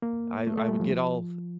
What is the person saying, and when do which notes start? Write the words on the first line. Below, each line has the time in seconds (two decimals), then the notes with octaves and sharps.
I I would get all
0.02 A#3
0.47 A3
0.58 A3
0.69 G3
0.80 F3